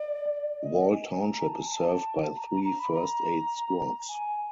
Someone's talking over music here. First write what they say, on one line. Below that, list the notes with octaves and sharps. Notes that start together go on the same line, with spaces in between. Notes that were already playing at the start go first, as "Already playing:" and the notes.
Wall Township is served by three first aid squads.
Already playing: D5
D#5
G#5
A#5
A5
G#5
A#5
A5
A#5
A#5
A#5
B5
A#5
G#5